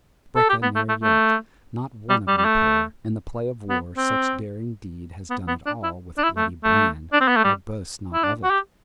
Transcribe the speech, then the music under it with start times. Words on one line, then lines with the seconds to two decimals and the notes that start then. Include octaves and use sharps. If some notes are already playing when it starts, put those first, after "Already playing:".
Breca ne'er yet, not one of you pair, in the play of war such daring deed has done at all with bloody brand, -- I boast not of it!
0.36 A4
0.49 G4
0.62 B3
0.76 A3
0.89 A3
1.03 A3
2.10 G3
2.28 G3
2.38 G3
2.45 A3
3.70 B3
3.97 C4
5.30 B3
5.48 B3
5.66 D4
5.84 E4
6.18 D4
6.23 E4
6.37 A3
6.64 A3
7.13 D4
7.21 C4
7.28 B3
7.36 A3
7.44 G3
8.14 E4
8.24 D4
8.44 F#4
8.51 G4